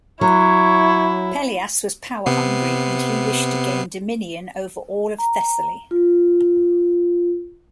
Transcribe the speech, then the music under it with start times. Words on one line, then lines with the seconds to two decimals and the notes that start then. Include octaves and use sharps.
Pelias was power-hungry and he wished to gain dominion over all of Thessaly.
0.21 F#3 E4 C#5
2.26 C3 B3 C7
5.19 A#5
5.91 F4